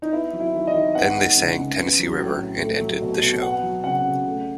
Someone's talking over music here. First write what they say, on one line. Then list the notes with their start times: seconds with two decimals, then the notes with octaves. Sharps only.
Then they sang Tennessee River and ended the show.
0.02 D#4
0.12 B3 E4
0.33 F#3
0.40 E4
0.54 D#3
0.67 D#5
0.74 D#3
0.95 B3 F#5
1.16 G#3
1.37 C#3
1.57 C#3
1.78 B3
1.99 F#3
2.19 A2
2.39 A2
2.61 A3
2.81 F#3
3.02 B2
3.22 B2
3.43 B3 F#5
3.63 F#3
3.84 C#3 F#5
4.04 C#3
4.26 A3